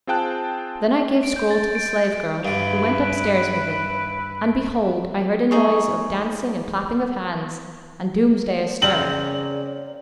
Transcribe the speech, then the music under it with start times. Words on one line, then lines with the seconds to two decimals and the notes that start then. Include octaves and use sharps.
Then I gave scroll to the slave-girl, who went upsatirs with it, and behold, I heard a noise of dancing and clapping of hands and Doomsday astir.
0.07 C4 F4 G#4 G5 A5 F#6
1.23 D7
1.36 G6
1.51 A6
1.75 D7
1.92 D7
2.45 G2 D3 E4 B4 F5 D7
5.51 D#4 G#4 C#5
8.82 C#3 C4 A#4 D5 F#7